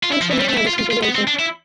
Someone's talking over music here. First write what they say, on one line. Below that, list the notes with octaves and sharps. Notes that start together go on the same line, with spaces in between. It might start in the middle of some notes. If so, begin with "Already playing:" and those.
Hence the name of this configuration.
F4
E4
F3
E3
G3
A3
E4
F4
F4
F4
B3
C4
D4
E4